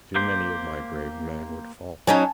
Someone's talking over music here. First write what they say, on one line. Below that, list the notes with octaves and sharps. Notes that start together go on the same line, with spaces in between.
Too many of my brave men would fall.
A#3 G4 C5
F#3 C#4 D#4 G#5 A5